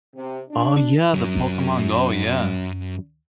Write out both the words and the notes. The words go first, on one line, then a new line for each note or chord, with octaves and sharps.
Oh yeah, the Pokemon Go, yeah.
C3
D4
F#2 F#3